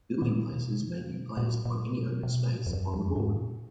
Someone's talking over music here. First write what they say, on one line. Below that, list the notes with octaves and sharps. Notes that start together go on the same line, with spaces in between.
Building places may be placed on any open space on the board.
A#2
B2
D3
B2
A#2
A#2
B2
B2
A#2
F2
F#2
F2
G#2
A#2